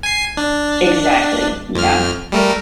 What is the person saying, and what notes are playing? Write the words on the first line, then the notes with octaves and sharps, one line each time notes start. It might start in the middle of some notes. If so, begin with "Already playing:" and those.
Exactly, yeah.
G#5 C7
D4
F2 F6
G3 A3 A#4